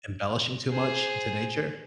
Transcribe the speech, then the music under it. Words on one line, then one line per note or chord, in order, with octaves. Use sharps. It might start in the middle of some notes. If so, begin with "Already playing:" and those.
embellishing too much into nature?
G#4 C5